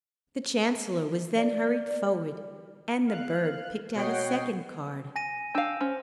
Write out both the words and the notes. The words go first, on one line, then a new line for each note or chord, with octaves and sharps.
The Chancellor was then hurried forward, and the bird picked out a second card.
D5
F5 F#6
B2 C#5 D#5 F#5 G5 C7
G#5 A#6 D#7
D4 F5 G5 E6
C#4 C5